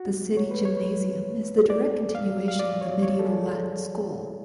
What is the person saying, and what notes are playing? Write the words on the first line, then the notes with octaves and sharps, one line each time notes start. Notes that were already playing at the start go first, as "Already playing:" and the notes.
The city Gymnasium is the direct continuation of the medieval latin school.
Already playing: F#4
C#5
B4
C#5
D5
F5
F5
D5
C#5
C#5
A4
G#4